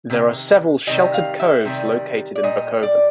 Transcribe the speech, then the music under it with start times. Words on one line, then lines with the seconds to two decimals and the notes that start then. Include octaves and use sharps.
There are several sheltered coves located in Bakoven.
0.10 C3 D#3
0.87 C3 D#3 G3 D#5
1.14 F5
1.40 E5
1.65 C3 D#3 G3
2.35 D5
2.43 A#2 G3 D#5
2.83 D5